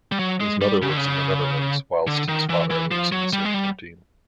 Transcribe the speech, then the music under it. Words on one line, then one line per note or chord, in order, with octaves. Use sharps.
His mother lives in the Netherlands whilst his father lives in Sint Maarten.
G3
F#3
G#3
G3
C#3
D3
C#3
D3
D#3
E3
E3
F3
F#3
G3
G#3
G3